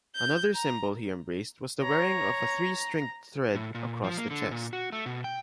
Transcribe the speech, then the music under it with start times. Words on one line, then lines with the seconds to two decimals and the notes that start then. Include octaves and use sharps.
Another symbol he embraced was the wearing of a three-stringed thread across the chest.
0.16 G6
0.54 A#5
1.82 C#5 A#5
3.55 A2
3.75 A#2
4.04 F3
4.18 A#3
4.31 D3
4.52 A#2
4.73 F#4
4.92 A3
5.06 B2
5.24 G5